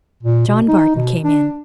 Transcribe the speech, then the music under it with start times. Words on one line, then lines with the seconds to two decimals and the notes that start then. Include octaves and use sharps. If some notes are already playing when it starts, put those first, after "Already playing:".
John Barton came in.
0.23 A#2
0.47 B2
0.68 D#4
0.96 B2
1.23 D4